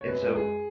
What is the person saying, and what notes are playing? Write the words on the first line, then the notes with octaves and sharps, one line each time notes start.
and so,
C#5
F#2 B4
G#3 B4
F#2 G#4